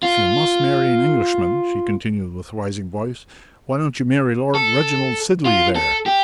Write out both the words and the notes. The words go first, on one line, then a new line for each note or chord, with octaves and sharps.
If you must marry an Englishman," she continued with rising voice, "why don't you marry Lord Reginald Sidley there?
F4
A4
F4
A4
G4